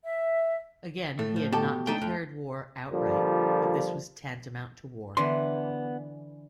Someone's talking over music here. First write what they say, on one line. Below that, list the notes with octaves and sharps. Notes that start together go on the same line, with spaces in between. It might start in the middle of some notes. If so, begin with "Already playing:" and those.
Again, he had not declared war outright - but this was tantamount to war.
E5
A2 A3
F3
B2 G4 A4
A3 D4 D#4 G5
F2
A#2 D3 F3 G3
D3 E3 B3 C6